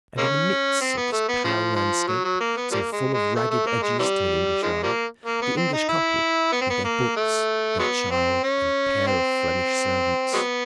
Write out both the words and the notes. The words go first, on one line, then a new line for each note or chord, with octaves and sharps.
And in the midst of this pale landscape, so full of ragged edges to an English eye, the English couple, with their books, their child, and a pair of Flemish servants.
G#3 A#3 C#4
C4
B3
A3
B3
C#3 F3
F3
F#3
F#3
A#3
B3
F3 G3 A#3
G#3
G#3
A3
A3
A#3
G#3
C3 E3 G3
D#3 F3 G#3
F3 G3 A#3
A#3
B3
C4
D#4
E4
B3
C4
B3
A#3
A3
F#3 G#3 B3
C4
C#4
C4
F#3 G#3 B3